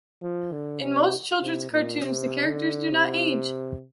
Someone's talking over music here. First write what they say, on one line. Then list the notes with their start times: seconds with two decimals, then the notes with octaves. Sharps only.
In most children's cartoons, the characters do not age.
0.22 F3
0.52 D3
0.81 C3
1.42 C3
1.72 A#2
2.02 C3
2.46 D3
2.91 C3